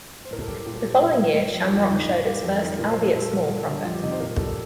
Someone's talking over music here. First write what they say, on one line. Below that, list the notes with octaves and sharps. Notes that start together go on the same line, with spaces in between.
The following year Shamrock showed its first, albeit small, profit.
C5
A2 A#4
A4
G3 G4
A#2 G4
A4
G3 A#4
C5
A#2 A#4
G3
G2
F3
G4
F2 F4
D3 G3 D#4
A2
G3 G4
F2 A4
D#3 G3 A#4
A#2 A#4
C5
F3
A4
A#2 A4
F3 A#4
G2 A4
D3 G3
F2 F4
G4
C3 D#3 G3 D#5
C5
A#2 A#4
G3 A4